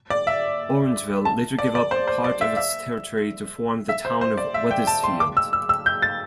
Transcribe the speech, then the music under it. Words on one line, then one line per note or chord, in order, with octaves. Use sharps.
Orangeville later gave up part of its territory to form the Town of Wethersfield.
D5
E5
A5
D5
D5
C5
C5
D5
E5
E5
E5
C5
C5
D5
E5
G5
A5
C6
D6
E6
E6
E6
G6
A6